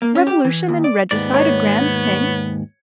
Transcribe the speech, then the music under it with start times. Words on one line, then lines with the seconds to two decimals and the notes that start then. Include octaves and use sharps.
Revolution and regicide a grand thing?...
0.02 A#3
0.15 C#4
0.27 G4
0.45 E3
0.68 D#2
0.84 D5
1.11 D#2 G#2 B3 D5
1.34 C#5